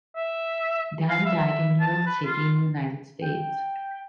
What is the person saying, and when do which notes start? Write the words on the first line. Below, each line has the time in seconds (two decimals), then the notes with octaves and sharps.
Dan died in New York city, in United States.
0.16 E5
1.09 F5
1.26 E5
1.80 A5
2.06 B4
2.24 F4
3.22 G5